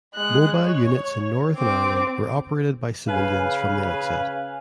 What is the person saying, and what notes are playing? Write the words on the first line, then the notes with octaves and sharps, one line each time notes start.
Mobile units in Northern Ireland were operated by civilians from the outset.
G#3 F#6
C#5
C4 D6
C#3 B4 F5 G#5